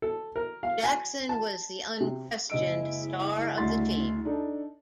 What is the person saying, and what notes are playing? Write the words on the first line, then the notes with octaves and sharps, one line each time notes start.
Jackson was the unquestioned star of the team.
A4
A#4
F5
G#5
A5
C3
F#1 G#3 E4 D#5 E6 D7
D2 C6 A6
D4 D#4 A4